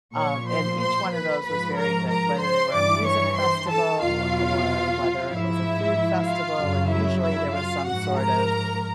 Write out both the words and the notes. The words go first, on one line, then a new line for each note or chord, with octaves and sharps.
Um, and each one of those was very good, whether they were a music festival or whether it was a food festival. And usually there was some sort of
A#2 F3 C#5 C#6
C5 C6
C5 C6
B4 B5
G#2 F3 B4 B5
A#4 A#5
A#4 A#5
C5 C6
G2 E3 D5 D6
C#5 C#6
C5 C6
A4 A5
E2 B2 F#3 F4 F5
G#2 F3 E4 E5
F4 F5
F#2 C#3 F#3
E4 E5
E4 E5
F4 F5
G#2 F3 F#4 F#5
A#4 A#5